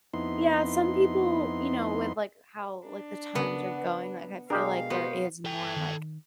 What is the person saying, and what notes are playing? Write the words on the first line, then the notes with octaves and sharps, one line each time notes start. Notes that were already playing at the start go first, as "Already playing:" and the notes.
yeah, some people, you know, with, like, how, like, the times are going, like, I feel like there is more, like
F2 B3 D#4 E4 C6
D4
C#3 B3
B2 G#3 D4 G4 G#4 A#4 F5
B3 F#4 C5
A4 G5
D#3